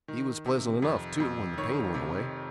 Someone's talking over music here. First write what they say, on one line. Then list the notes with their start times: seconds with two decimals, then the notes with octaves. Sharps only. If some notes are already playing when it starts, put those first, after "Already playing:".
He was pleasant enough, too, when the pain went away.
0.08 D#3
0.46 C3
0.82 F2
1.20 F2
1.58 D#3 C#5
1.95 C3